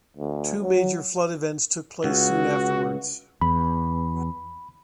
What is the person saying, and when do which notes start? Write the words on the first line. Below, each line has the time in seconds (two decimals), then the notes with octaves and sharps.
Two major flood events took place soon afterwards.
0.17 D2
0.62 F#3
2.04 C#2 F#4
3.41 E2 B5